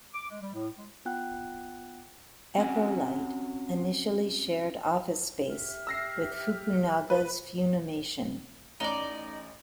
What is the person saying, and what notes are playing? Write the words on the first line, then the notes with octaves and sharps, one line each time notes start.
EchoLight initially shared office space with Fukunaga's Funimation.
D6
G#3
G3
A2
G#3
B3 F4 F#5 G5 F#6
C4 C#4 F#4 F#5 G#5
G4 E5 F6
E6 A#6 C7
B4
A1 C#4 D#4 D5